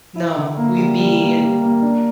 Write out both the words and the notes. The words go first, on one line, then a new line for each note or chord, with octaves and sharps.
No. We'd be,
E4
D3
A#3
G3
G3
A#3
G3
A#3
D4